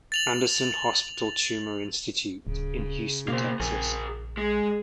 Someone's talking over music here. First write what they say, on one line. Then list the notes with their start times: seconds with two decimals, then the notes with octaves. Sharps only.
Anderson Hospital Tumor Institute in Houston, Texas.
0.12 A6 F7 F#7
2.47 D1 C#3
3.28 B2 A#3 C5
3.60 A#1 G#4 A#4
4.37 G#3 G#4